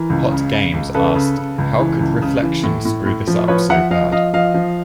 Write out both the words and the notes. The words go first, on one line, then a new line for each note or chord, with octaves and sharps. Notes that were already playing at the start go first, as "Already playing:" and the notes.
Hot Games asked, How could Reflections screw this up so bad?
Already playing: E3 A#4
C#2
C#3
C#3
C#2
C#3 A4 B4
C#3
C#3
C#2
E3
C#2
C#3
E3
A2
A2
A2
F3
F3 B4 C#5
F3 E5 F#5
F3 D#5 F5
F3 D#5 F5
F3 D#5 F5
F3